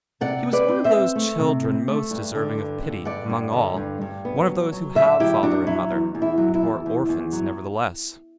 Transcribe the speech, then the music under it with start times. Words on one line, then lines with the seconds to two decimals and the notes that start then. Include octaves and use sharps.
He was one of those children most deserving of pity, among all, one of those who have father and mother, and who are orphans nevertheless.
0.21 C3 D5 F#5
0.45 C4
0.53 B4 D5
0.68 C4
0.84 C5 E5
0.92 C4
1.16 A3
1.39 C3
1.64 C4
1.88 A3
2.11 G2
2.35 D3
2.58 G2
2.83 D3
3.05 G2 D5 F#5
3.30 G2
3.53 D3
3.77 G2
4.01 G2
4.25 B3
4.48 F#3
4.72 F#3
4.95 D3 C5 E5
5.20 F#3 E4 G4
5.43 F#3 D4 F#4
5.67 F#3 E4
5.91 E2
6.15 E2
6.22 E4
6.38 F#3
6.55 E4
6.62 E2
6.86 E2
7.09 E2
7.33 F#3